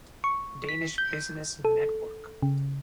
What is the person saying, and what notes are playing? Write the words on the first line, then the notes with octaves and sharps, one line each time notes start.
Danish Business Network.
C#6
B6
G6
A4
C#3